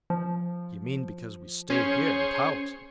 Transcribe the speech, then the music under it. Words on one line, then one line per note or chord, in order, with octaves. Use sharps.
"You mean because we stay here in Tarleton?"
F3
C#4 G#4 C5 C#5